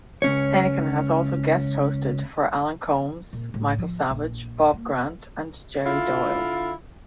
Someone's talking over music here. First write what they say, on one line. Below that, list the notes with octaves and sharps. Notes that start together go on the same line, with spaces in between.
Henican has also guest-hosted for Alan Colmes, Michael Savage, Bob Grant and Jerry Doyle.
C#2 C#4 C#5
A#2
A2
F3
A#1
A#3
D3 E4 F4